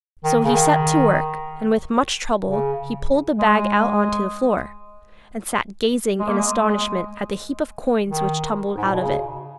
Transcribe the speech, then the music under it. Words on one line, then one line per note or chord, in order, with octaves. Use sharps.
So he set to work, and with much trouble he pulled the bag out on to the floor, and sat gazing in astonishment at the heap of coins which tumbled out of it.
D#3
C#3
D#3
C#3
G#3
G#3
A#3
G#3
G#3
D#3
G#2
A#2
B2
C#3